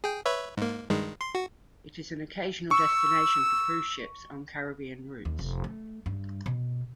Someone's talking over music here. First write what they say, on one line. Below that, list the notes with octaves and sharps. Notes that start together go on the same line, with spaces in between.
It is an occasional destination for cruise ships on Caribbean routes.
G#4 G5
B4 C#5 E5
G#2 A#3
G2 D#3 G#3
C6
F#4
C#6 E6
D#2
F1
A3
G2
B2